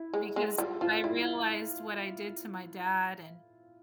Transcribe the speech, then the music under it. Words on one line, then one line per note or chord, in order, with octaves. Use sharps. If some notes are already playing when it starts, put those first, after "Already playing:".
because I realized what I did to my dad, and
Already playing: E4
G#3
G#3
G3 F4
F3 F4
G3 E4